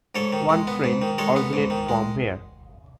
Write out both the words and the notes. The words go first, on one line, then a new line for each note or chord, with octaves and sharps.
One train originate from here.
G#2 A4 C#5
D#3
G#3
B3
G#2
D#3
G#3 A4 C#5
B3
G#2
D#3
G#3